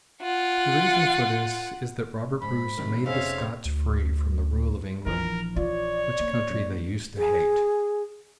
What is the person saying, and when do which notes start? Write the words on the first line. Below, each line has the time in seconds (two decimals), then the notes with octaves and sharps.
The reason for this is that Robert Bruce made the Scots free from the rule of England, which country they used to hate.
0.22 F4 F#5
2.42 G#2 B5
2.77 C3 D#3 A#4
3.06 F1 C#4 D#4 G#4 C5 C#5 E5 F5
3.65 D2
5.06 A#1 E3 F3 A#4
5.56 F4 C#5 D5
6.20 A#3
6.50 F#2
7.17 G#4